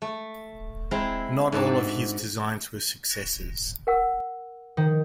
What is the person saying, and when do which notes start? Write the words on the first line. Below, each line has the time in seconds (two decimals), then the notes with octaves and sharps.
Not all of his designs were successes.
0.02 A3
0.91 G#3 C4 E4 A5 A#5
1.52 G#2 D4 F#4 A4 A5
3.87 A#4 F#5 E6
4.77 D#3